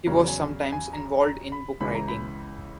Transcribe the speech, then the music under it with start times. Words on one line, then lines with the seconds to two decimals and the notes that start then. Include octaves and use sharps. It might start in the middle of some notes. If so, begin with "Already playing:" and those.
He was sometimes involved in book writing.
0.06 E2 C#3 F#3 A#5
0.28 G#5
0.72 G#5
0.93 A#5
1.22 A#5
1.52 B5
1.80 C#2 C#3 E3 B5
1.95 A#5
2.08 B5